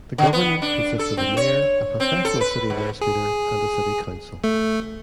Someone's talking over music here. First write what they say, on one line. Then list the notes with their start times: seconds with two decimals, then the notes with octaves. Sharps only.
The government consists of a mayor, a professional city administrator, and a city council.
0.18 D3
0.33 B3
0.62 D4
0.99 A4
1.17 C4
1.37 C#5
2.00 C4
2.25 A4
2.41 B4
2.70 G#2
3.01 G#4
4.44 A3